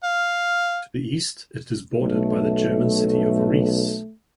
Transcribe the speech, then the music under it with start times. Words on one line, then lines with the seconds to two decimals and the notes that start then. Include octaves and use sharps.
To the east, it is bordered by the German city of Rees.
0.03 F5
2.01 B1 A3